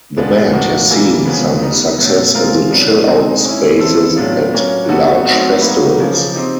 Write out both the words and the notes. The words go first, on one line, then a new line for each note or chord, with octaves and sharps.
The band has seen some success in the chill out spaces at large festivals.
B2 G#3 B3 D4 F4
A2 F3 A#3 D4 F#4
C3 E3 G3 A#3
C#3 F3 G#3 B3
G3 B3 D#4
B2 F#3 A3
G#3 C4 F4 A#4
B2 F#3 B3 D4
G#3 C4 D#4
G#3 C#4 E4
C4 E4 A4
A2 F#3 B3 D4 F4
F#3 A#3 C#4
G3 B3 D#4 F#4 A4
F#3 A3 C4 D#4 F#4
F#3 A#3 D#4 F#4 B4
C#3 F3 A#3
C4 D#4 G4